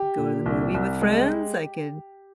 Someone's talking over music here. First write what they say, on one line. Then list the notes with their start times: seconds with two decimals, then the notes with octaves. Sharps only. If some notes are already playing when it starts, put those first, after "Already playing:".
go to the movie with friends, I can
Already playing: G4
0.18 A#2
0.46 C2
0.74 C2
1.02 G#3